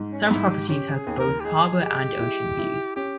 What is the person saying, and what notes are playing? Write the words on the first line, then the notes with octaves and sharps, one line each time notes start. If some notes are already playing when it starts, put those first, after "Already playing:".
Some properties have both harbour and ocean views.
Already playing: G#2
C#4
G#2 E4
G4
C#4 G4
G#4
D#2
A#4
G4
G#3 G#4
G#3 G4
E4
E4
C#4 G4